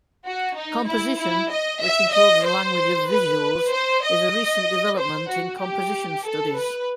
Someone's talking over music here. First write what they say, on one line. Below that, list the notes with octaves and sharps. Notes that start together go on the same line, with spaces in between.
Composition, which includes the language of visuals is a recent development in composition studies.
F#4
D#4
E4
E4
D#5
E5
D#5
C5
B4
C5
D#5
C5
F#4
G4
A4
B4